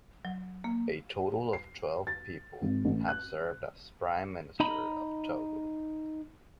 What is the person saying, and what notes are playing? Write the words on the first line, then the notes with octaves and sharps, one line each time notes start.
A total of twelve people have served as Prime Minister of Togo.
F#3
A#3
C7
A6
G#1
A1
F#6
D#4 D#5 A#5 B5